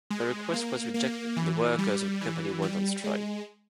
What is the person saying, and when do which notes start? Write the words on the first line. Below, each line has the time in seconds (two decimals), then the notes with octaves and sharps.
The request was rejected and the workers of the company went on strike.
0.10 G#3
0.53 A#3
0.94 A#3
1.36 E3
1.78 G3
2.21 E3
2.62 G3
3.04 G#3